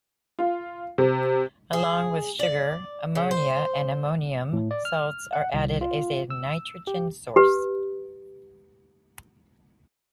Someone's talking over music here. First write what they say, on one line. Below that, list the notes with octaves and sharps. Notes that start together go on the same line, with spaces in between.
Along with sugar, ammonia and ammonium salts are added as a nitrogen source.
F4
C3
G#4
D5
C#3
C5
A2
D5
F6
F#5
C2
F4
E6
G4
G4 B4